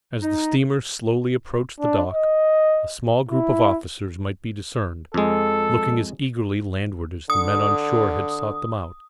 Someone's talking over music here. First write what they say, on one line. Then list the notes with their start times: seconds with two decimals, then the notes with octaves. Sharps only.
As the steamer slowly approached the dock, a small group of officers might be discerned, looking as eagerly landward as the men on shore had sought them out.
0.22 D#4
1.80 D4
2.14 D#5
3.29 E4
5.14 F2 G#3 A4
7.30 D3 D#6